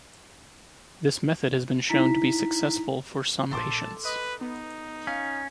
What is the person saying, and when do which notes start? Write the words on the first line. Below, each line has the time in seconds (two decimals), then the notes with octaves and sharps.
This method has been shown to be successful for some patients.
1.89 D#4 E4 A#5 B6
3.51 A#1 A#2 A4 A5 C6 D6
4.05 B4 D#5
4.41 B3 D#4
5.07 C#4 F5